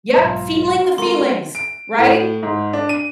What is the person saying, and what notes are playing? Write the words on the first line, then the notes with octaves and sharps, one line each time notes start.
Yep, feeling the feelings, right?
B1 G#2 F4 E5 A#5
G#3 C4 A4 A#4 A#5 C6 C#6
D7
A2
G#2
D4
D#7